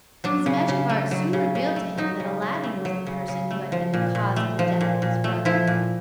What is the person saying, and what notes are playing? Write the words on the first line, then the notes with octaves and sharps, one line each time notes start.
His magic art soon revealed to him that Aladdin was the person who had been the cause of the death of his brother.
F#3 D4
C#3
C#3
A3
F#3
C#3
C#3
A3
F#3 D#4
C#3
C#3
A3
F#3
C#3
C#3
A3
F3
A#2
A#2
A3
F3
A#2
A#2
A3
F3 E4
A#2